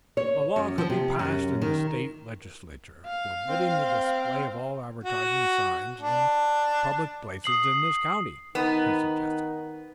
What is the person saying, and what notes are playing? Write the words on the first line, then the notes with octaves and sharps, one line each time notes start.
"A law could be passed in the State Legislature forbidding the display of all advertising signs in public places in this county," he suggested.
C#5
F#2
F3
C3
F#2
D#3
F5
C4
F#4
D4
D#6 C7 F#7
D#3 B3 D#4